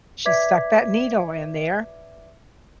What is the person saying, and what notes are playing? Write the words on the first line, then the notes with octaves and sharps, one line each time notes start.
she stuck that needle in there.
B4 D5 E5 D6 G#6 B6